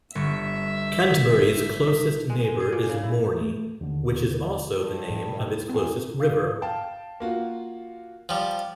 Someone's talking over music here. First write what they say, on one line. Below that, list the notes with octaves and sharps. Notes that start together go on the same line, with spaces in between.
Canterbury's closest neighbour is Morney which is also the name of its closest river.
G1 D4 E5 C#6
G#3
G#3
G#4
A#2
C#3
E4
A3
D#2 D3
G2
A2
D#2
E2 C4
F5
F5 G5 A5
A#3 F4 F#4
F3 G3